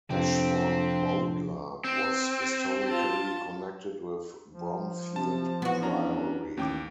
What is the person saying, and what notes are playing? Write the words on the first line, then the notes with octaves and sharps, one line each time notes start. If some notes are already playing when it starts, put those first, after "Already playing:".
Ashford Bowdler was historically connected with Bromfield Priory.
F2 C3 F3 C4 D4
C4
F4 A5
F3
C3 A5
E2 B3 F#4
C#4 D4 A#5
A1 D#2 G5 D6